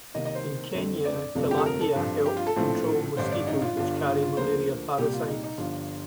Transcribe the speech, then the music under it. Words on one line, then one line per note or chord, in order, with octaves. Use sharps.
In Kenya, tilapia help control mosquitoes which carry malaria parasites.
C2 C3 D#3 A#3 D#5
D#5
C5
F2 D3 A3 C4
D5
G1 F2 C3 F3 A3
G4
A4
A#4
A4
G2 F3 C4
G4
F4
A4
A#1 A2 F3 A3 C4
A1 G2 D3 C5
D5
D#4
F4
G1 G2 D3 F4
F4
F4
D2 D3 F3 A#3 C5
C2 A#2 G3 G4
F4
D#4
D#4
G1 G2 F3 F4